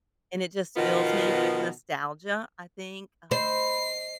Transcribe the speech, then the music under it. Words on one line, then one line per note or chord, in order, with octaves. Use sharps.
and it just fills me with nostalgia. I think, um
B2 D#3 F3 B3 F4
C5 D#5 B5 C7